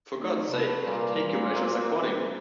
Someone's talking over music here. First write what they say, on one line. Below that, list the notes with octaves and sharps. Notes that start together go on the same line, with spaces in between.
For God's sake, take your measures accordingly!
A3 D#4 D5
C3 A3 B4
A#2 G3 A#3
A#3 C4